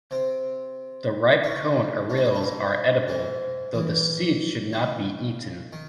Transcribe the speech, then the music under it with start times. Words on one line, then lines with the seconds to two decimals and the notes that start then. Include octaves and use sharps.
The ripe cone arils are edible, though the seed should not be eaten.
0.11 C3 C4
1.44 C#3 C#4
2.10 A2 A3
2.17 G#2 G#3
2.25 F#2 F#3
2.34 A2 A3
2.43 G#2 G#3
3.08 G#2 G#3
3.74 E2 E3
4.73 C#3
5.73 D#3